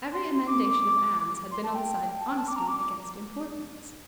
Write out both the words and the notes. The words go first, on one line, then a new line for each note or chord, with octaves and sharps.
Every emendation of Anne's had been on the side of honesty against importance.
C6
D6
D6
C6
A5
G5
A5
G5
A5
D6
A#5
D6
D6